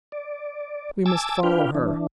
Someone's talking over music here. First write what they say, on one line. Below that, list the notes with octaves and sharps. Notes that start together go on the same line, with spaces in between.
"We must follow her."
D5
G#5 A5 D6 E6
D4 F4 B4 F5 G5
E3 D4